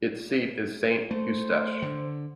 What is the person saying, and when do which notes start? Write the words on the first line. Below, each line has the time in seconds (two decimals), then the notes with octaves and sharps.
Its seat is Saint-Eustache.
1.11 A3 C5
1.82 D3